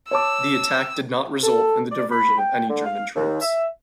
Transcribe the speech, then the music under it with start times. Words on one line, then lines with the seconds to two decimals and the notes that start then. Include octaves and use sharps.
The attack did not result in the diversion of any German troops.
0.11 C#5 A5 D6 E6
1.43 A4
1.91 D5
2.11 B5
2.38 G5
2.69 D3
2.86 F5
3.16 D#2
3.42 E5